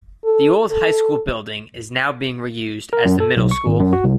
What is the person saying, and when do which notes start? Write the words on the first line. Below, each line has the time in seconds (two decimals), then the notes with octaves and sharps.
The old high school building is now being reused as the middle school.
0.25 A4
0.71 A4
2.93 A#4
3.05 F#2
3.20 A4
3.36 B1
3.51 C#6
3.66 G#1
3.80 F#2
3.93 F#4
4.04 C2